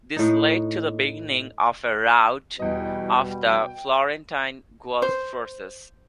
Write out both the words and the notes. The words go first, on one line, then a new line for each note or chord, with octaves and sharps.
This led to the beginning of a rout of the Florentine-Guelph forces.
A2 D#4
E2 B2 G3 D#5
G5
C5